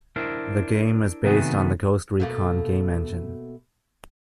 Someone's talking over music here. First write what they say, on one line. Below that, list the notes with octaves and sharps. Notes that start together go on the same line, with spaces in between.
The game is based on the "Ghost Recon" game engine.
D4 E4 A#4 C5
C3 D#3 A3 B3 F#4 G#4
B2 A3 A#3